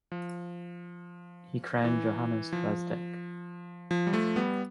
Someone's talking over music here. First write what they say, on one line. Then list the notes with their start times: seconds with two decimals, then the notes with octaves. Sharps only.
He crowned Johannes Rydzek.
0.12 F3
1.84 E3
2.52 F3
3.91 F3
4.07 G3
4.13 F3 A3
4.36 G3 B3